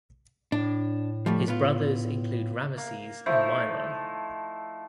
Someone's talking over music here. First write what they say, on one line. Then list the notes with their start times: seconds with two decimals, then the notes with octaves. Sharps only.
His brothers include Rameses and Myron.
0.52 A2 D4
1.26 F3 G3 A3
1.48 B3 F4
2.77 A#3
3.26 F3 A3 D#4 E4